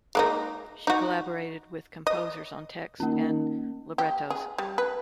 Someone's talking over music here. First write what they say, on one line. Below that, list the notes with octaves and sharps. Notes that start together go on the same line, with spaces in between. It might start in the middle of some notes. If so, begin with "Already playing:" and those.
She collaborated with composers on texts and librettos.
G#3 A#3 D#4
D#4 F#4
D#5
D#3 A#3 C#4
G4
G#4
G3
B4